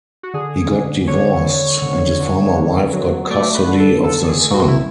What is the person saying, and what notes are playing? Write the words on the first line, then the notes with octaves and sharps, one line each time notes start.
He got divorced, and his former wife got custody of their son.
F#4
D3 G#4
D3
D3 C#5
D3
D3
D3
D3
F#3
A3 D5
B4
D3
A4
D3 A4
A4
G#4
A3
F#4
E4